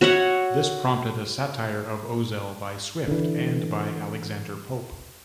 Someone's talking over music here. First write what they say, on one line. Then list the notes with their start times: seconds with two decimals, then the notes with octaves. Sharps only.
This prompted a satire of Ozell by Swift and by Alexander Pope.
0.01 F#4 C#5 E5 F#5
3.08 D3 E3